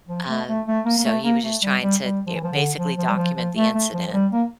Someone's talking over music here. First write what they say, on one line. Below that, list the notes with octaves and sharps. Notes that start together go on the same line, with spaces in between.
um, so, he was just trying to, eh, basically document the incident,
F3
A3
A3
A3
A#3
A#3
A3
A#3
A3
G3
G3
G3
F3
E3
F3
D3
F3
F3
G3
F3
F3
A3
A3
F3
F3
G3
A#3